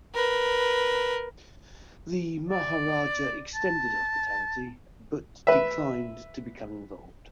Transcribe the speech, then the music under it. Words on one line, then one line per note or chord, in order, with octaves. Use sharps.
The Maharaja extended hospitality but declined to become involved.
A#4 B4
D5
A5
B4 E5